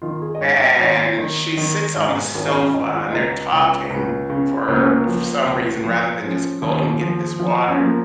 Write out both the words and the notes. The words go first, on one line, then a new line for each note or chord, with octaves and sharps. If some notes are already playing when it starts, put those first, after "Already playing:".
and she sits on the sofa and they're talking for some reason rather than just going and get this water
D#3 F4
G#4
D#5
G#2 C#5
D#5
G#1 C#5
D#3
D#3
G#2
G#1 A#4
D#4
C#4
G#1 D#4
F4
F4
C#2 D#4
C#2
C#2
C#3
C#2 A#3
C#4
A#3
F3
C#2
F3
F3 C#4
D#2
F3
F3
C#4
F3 A#3